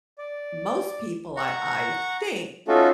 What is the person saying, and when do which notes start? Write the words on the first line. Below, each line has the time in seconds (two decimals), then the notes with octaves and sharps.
most people I I think
0.18 D5
1.37 F#5 A#5 C#6
2.68 A3 C#4 D#4 F4 F#4 A4